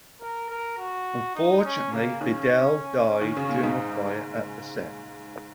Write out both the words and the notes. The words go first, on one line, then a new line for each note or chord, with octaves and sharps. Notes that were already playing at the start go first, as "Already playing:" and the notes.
Unfortunately Fidel died during a fire at the set.
A#4
A#4
F#4
D#4
C#4
C#3 A#3
D#3 C#4
C#4
D#3
C#3
A#2
G#2 D#4
A#3